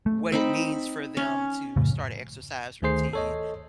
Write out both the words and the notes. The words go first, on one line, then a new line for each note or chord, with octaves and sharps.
what it means for them to start a exercise routine,
A3
C4 D#4 B5
C#4
F2 A2 C#3
D2 D#3 A3 G#4 C5 C7
A4 C#5 D#5